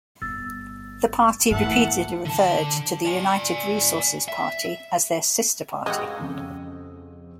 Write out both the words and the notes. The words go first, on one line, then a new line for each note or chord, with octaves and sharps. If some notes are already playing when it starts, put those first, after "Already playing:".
The party repeatedly referred to the United Resources Party as their "sister party".
G1 E6 A6
G#2 E3 A3 A#3 E5 F#5 A5
D3 A5
D5 G#5
E5
D5 D#5
G#3 F#4 G4 D#5 F5 D#6 E6
F2 C#3